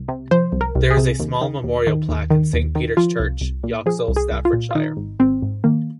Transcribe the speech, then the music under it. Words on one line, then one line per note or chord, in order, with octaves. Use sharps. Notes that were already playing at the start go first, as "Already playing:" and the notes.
There is a small memorial plaque in Saint Peter's Church, Yoxall, Staffordshire.
Already playing: C2
C3
F3 C5
C2
A#4
C2
G#4
C3
D#2
D#3
D#2
D#3
D#2
D#3
D#2
D#3
F3 F4
C2
C2
A#2
F3 G#4
C2
G#4
C2
F4
A#2
F4
D#3 D#4
G#1
G#1 C4
G#2
D#3 A#3